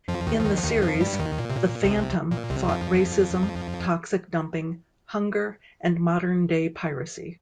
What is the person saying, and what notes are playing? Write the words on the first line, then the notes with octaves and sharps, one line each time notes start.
In the series, the Phantom fought racism, toxic dumping, hunger and modern-day piracy.
F2 F3
D#2 D#3
F3
D#2 D#3
F3
D#2 D#3
F2 F3
G2 G3
D#2 D#3
A#2
C3
A#2
C2 C3
A#2
C2 C3
F2 F3